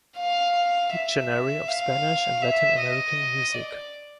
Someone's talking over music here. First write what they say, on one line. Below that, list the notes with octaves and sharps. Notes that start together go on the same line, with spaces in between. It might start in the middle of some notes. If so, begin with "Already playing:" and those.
Dictionary of Spanish and Latin American music.
F5
E5
F5
E5
D#5
D5